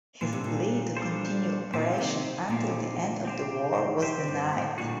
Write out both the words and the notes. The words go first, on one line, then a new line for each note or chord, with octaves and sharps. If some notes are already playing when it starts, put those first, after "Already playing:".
His plea to continue operation until the end of the war was denied.
A#2 G3 D4 A4 C5
C3
A#2
G3 D4 A4 C5
A#2 D3 C4 D#4 G4 C5
D3
C3 D#3
A#2 D3 C4 D#4 G4 C5
C4 G4 C5
C3 C4 G4 C5
G2
A2
A#2 D3 G3 D4 F#4